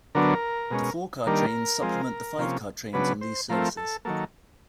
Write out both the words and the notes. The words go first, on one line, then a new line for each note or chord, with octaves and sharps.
The four-car trains supplement the five-car trains on these services.
D3 F#3 B3 D4 A#4
B2 G#3 C#4
D#3 G3 A#3 D4 A#4
F3 G#3 C4
C3 F3 A#3 C#4
C#3 F#3 B3 D4 B4
C5
F3 A3 C4 A#4
A4
D#3 F#3 A#3 A4